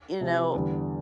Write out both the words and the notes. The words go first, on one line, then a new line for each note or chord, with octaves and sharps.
you know
C3 F3 C4
E2 D3 G3